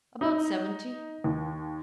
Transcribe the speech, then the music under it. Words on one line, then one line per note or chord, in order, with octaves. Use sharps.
"About seventy."
D#4
D#2